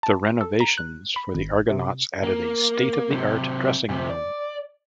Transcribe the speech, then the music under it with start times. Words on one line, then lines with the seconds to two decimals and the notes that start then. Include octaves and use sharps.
The renovations for the Argonauts added a state-of-the-art dressing room.
0.03 A5
0.41 A4
0.60 A#5
0.78 F#6
1.16 B5
1.34 G#1
1.70 C3
2.24 A#3
3.10 C3 F#3
3.89 D2 C3
4.10 D5